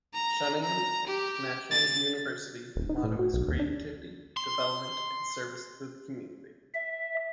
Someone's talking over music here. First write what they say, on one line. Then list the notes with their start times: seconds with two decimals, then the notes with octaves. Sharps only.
Chungnam National University motto is "Creativity, Development, and Service to the community".
0.14 A#5
0.63 A#5
1.07 G4
1.71 A6
2.76 D#1
2.89 D#4
3.03 A2
3.19 F#4
3.34 B1
3.48 D#2
3.60 D4
4.37 C6
6.74 E5